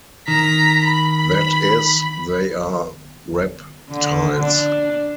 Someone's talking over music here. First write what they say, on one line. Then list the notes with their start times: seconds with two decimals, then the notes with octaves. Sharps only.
That is, they are rep-tiles.
0.28 D#3 A#5 B6
0.85 B5
3.90 D3
4.40 D4